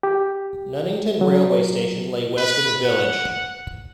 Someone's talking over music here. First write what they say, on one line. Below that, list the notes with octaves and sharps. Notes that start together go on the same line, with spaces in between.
Nunnington railway station lay west of the village.
G4
F#3
B4
F#5